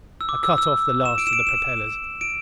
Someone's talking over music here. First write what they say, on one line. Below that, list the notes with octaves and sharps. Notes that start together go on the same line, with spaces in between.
I cut off the last of the propellers.
E6
D6
E6
E6
E7
D7
E7
D7
E7
D7